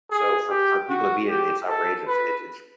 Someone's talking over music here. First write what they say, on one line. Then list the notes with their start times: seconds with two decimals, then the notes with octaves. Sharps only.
So for for people to be in it, it's outrageous. It's it's
0.11 G#4
0.50 G4
0.89 F#4
1.29 G4
1.68 A4
2.07 B4